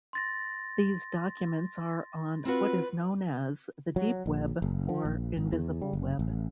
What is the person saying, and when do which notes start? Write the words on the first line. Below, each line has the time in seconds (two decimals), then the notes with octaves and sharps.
These documents are on what is known as the deep Web, or invisible Web.
0.13 C6 A6 A#6
2.45 C4 F4 F#4 B4
3.96 F#3
4.26 A#1
4.62 F#1
4.89 F3
5.05 A#1
5.37 G#1
5.53 E2
5.82 G3
5.93 F#1
6.19 A1